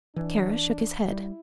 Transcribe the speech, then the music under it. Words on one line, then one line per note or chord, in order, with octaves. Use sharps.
Kara shook his head.
E3 D4
G3 E4